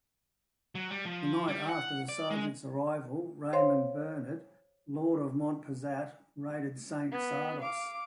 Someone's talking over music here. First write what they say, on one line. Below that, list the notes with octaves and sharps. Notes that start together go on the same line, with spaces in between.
The night after the sergeant's arrival, Raymond-Bernard, lord of Monpezat, raided Saint-Sardos.
F#3
G3
F3
G3
F#5
D5
G#3
C5 C#5 F5 C6
B3
F5 D6